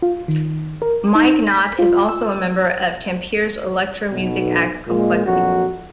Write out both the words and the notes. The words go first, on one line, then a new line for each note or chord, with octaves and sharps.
Mike Not is also a member of Tampere's electro music act Kompleksi.
F4
D#3
A#4
D#4
B6
F4
E6
B1 B2
A#2 G#3
A#1 F2 F#3 F#4